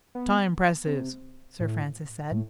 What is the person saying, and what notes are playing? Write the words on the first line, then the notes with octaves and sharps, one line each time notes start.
"Time presses," Sir Francis said.
B3
C3
A2
A2